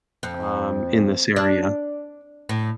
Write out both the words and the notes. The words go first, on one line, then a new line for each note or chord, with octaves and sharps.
um, in this area,"
F2
D4
A2